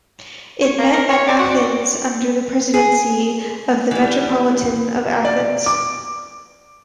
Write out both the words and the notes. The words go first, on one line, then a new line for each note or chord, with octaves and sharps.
It met at Athens under the presidency of the Metropolitan of Athens.
C#5
A#3
A#4
C#5
D5
F#4
D5
G#4
E3 G3
D5
D6